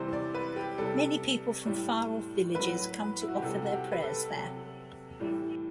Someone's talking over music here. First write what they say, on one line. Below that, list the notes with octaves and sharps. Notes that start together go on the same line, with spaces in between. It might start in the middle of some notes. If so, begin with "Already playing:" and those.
Many People from far off villages come to offer their prayers there.
Already playing: C3 E3 G3 C5
D5
B4
G4
C3 G3 A4
A2 G3
A2 F#3 B4
E4
F#4
G4
C3 G3 A4
F#4
G4
B4
A4
C3 F#3
A2 E3 G3